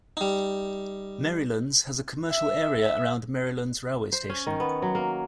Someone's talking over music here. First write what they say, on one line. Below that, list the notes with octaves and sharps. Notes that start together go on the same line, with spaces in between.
Merrylands has a commercial area around Merrylands railway station.
G3 D#4
E5
E5
C5
C#4
D#3
B3
F#3
A#3